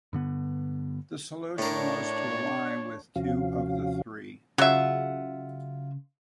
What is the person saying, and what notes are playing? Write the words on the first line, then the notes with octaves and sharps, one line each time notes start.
The solution was to ally with two of the three.
G2 D3 B3
A2 D4 A#4 C#5
D#2 C3 F3 C#4 F#4 F5
C#3 F#3 F4 E5 F#5